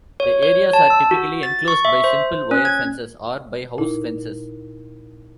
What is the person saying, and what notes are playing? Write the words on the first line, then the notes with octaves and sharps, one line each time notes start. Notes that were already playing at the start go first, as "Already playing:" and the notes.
The areas are typically enclosed by simple wire fences, or by house fences.
C#5
C#5
A5
E6
F#4
A6
C#6
E5
C5
C#4
G#6
A#2 D#4 E4